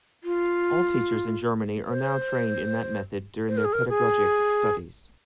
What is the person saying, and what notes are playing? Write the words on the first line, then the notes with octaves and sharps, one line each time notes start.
All teachers in Germany are now trained in that method during their pedagogic studies.
F4
C5
C5
A#4
G#4
A#4
G#4